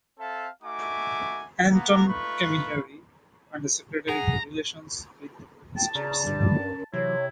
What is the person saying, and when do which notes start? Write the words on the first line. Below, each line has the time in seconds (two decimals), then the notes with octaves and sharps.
Antoine Camilleri, under-secretary for Relations with States.
0.19 C4 A4 E5 F5 A5
0.63 A3 D#4 F#4 E5 G#5 D6
1.72 A#3 B3 A#5
2.07 A3 D#4 F4 B4 B5 C#6
4.08 G#4 F#5 A#5
5.77 G5 A5
5.95 C#3 D5 A#5
6.27 G2 D3 G3
6.60 C#4 A#4
6.94 C3 E3 F#3 E4 C#5